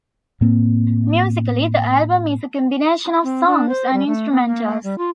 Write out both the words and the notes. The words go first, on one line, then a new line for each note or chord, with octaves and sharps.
Musically, the album is a combination of songs and instrumentals.
A2 A#3 C4
C4
D4
C5
G3
A3
B3
A#3
G3
F4